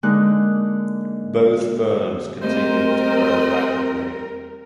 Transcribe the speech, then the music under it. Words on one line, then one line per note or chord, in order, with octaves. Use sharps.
Both firms continued to grow rapidly.
D3 G#3 A#3 D#4 F#6
G3 A3 A#3 C4 A#4 C5 D#5